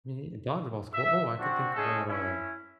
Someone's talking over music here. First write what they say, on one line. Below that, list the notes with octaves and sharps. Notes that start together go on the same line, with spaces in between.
Me uh, dodgeball's cool Oh, I could think about, uh
E5
C4 D4 F#4
G#3 A3 C#4 G#4 A4
C#4 E4